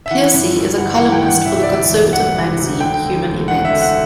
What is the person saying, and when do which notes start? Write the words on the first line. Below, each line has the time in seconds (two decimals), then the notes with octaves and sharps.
Pearcey is a columnist for the conservative magazine "Human Events".
0.06 E5
0.11 E3 F#5
0.34 G2
0.56 G1
0.78 G1 F#5
0.95 F#5
1.00 E3
1.12 G5
1.23 G2
1.28 F#5
1.46 C3 E5
1.56 E5
1.63 D5
1.68 D2
1.90 E1
2.13 E1 F#5
2.35 C3
2.58 D2
2.80 D3 G5
3.03 D2
3.25 E1
3.48 E1 F#5
3.65 E5
3.70 D3
3.82 F#5